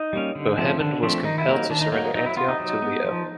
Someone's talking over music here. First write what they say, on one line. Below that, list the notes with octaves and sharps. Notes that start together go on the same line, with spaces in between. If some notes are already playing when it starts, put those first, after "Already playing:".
Bohemond was compelled to surrender Antioch to Leo.
Already playing: D#4
G3 A#3 C#4
D3
F3 A3 C4
D3 D4
F3 A3 C4
D#3 D#4
E4
F#3 A#3 D#4
D#3 D4
D#4
F#3 A#3 D#4
D#4
F#3 D#4
E4
B3 F4
D#4
F#3
B3
F3